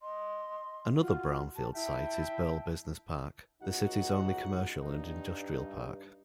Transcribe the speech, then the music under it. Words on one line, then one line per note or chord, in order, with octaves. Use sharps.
Another brownfield site is Burle Business Park, the City's only commercial and industrial park.
D#5 C6
F4 F#4
G4 A5
E4 E5 G5 A5
C#2 D#4 F#4 F#5
G2 D#4